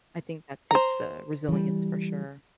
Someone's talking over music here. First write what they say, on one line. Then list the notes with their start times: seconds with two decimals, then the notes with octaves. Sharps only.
I think that takes, uh, resilience for sure.
0.71 C5 A#5
1.48 E3 G3